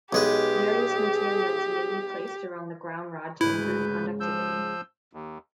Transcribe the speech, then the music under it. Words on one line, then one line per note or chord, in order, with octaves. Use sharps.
Various materials may be placed around the ground rod to improve conductivity.
B1 G#3 G4 G#4 B4
D2 G#2 C#3 G#3 E4 B4 G6
F3 E6 G6
D#2